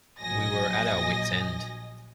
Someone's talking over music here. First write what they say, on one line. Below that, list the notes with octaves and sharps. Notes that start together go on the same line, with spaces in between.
We were at our wits' end.
A#1 F#3 D#5 G#5 D#6 A#6